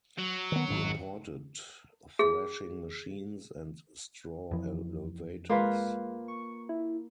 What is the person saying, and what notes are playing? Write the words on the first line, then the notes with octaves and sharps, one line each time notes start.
He imported thrashing machines and straw elevators.
F#3
D#3 B3
G#1 G#2
G#4
F2 E3
G#3 A#3 F4 B4
C#6
E4